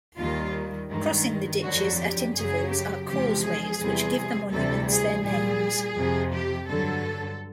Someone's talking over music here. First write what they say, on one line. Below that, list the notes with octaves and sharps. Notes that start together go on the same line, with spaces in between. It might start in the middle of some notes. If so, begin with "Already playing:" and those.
Crossing the ditches at intervals are causeways which give the monuments their names.
D#2 D#3 G3 F4
G2 D#3 G#3
F2 D3 F#3 F#4
G4
F#2 C#3 F#3 G#4
G4
E2 C3 F3 G#3 G4
G#4
E2 C3 E3 G3
D2 C3 E3 G3 A4
G#4
A#2 G3 G#4
F2 C3 F3
G4
G2 D3 F#3 A4